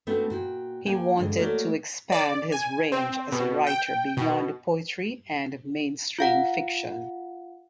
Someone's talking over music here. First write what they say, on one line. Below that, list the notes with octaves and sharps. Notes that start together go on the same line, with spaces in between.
He wanted to expand his range as a writer beyond poetry and mainstream fiction.
A3 B3 C4 D4 F#4
A#2 F#4 G5
A#3 G5 G#5
G2 D3 G#3
A3 A#3 F#4 A#4 C#5 D5
D5
G#5
C4
B2
G5
B2
F4 F5 F#5